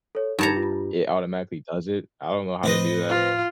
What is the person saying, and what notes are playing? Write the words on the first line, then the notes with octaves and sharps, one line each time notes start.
like, it automatically does it, I don't know how to do that,
A4 C#5
G2 D#4 A5 A#5 G#6 C#7
F4
A2 F3 C4 B4 D#5
F4